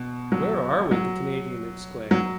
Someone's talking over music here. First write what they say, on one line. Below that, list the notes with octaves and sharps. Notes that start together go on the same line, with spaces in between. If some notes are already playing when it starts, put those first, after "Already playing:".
"Where are we?" the Canadian exclaimed.
Already playing: B2
F#3
F#3
F#3